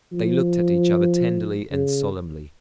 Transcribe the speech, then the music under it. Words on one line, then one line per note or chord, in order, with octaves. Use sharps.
They looked at each other tenderly and solemnly.
F3
C#3